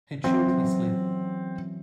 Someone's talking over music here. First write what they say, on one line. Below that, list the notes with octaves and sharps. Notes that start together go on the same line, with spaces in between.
He chewed his lip.
E3 F#3 C4 C#4